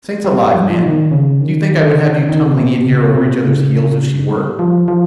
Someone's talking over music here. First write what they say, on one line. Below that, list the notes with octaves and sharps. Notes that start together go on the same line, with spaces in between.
"Saints alive, man, do you think I would have you tumbling in here over each other's heels if she were?"
G3
F3
G3
F3
D#3
C#3
D#3
D#3
C#3
C3
C#3
C3
C#3
G3
F3
F3